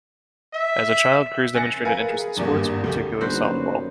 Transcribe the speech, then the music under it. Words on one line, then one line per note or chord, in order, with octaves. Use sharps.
As a child Cruz demonstrated interest in sports, particularly softball.
E5
G#5 F#6 A6 A#6 C#7
A#4 B4 F5 G#5
G#4
G#1 E2 G2 A#3
D2 A3 G4
G1 D3 A#3 D#4 F#4 B4 C5
F#2